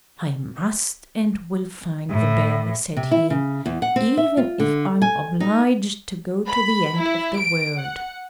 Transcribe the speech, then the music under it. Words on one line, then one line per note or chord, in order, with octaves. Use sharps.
"I must and will find the bell," said he, "even if I am obliged to go to the end of the world."
A2
C3
E4
C#3
E2
F#5
C4
E5
F4
D3
G#5
D#4
B5
E4
D7
F#5